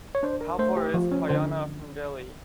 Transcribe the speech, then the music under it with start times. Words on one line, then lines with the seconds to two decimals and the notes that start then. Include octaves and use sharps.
How far is Haryana from Delhi?
0.15 C#5
0.23 D4 C5
0.41 A#4
0.59 A3 C5
0.77 G4
0.94 F3
1.12 C#4
1.29 D3 C5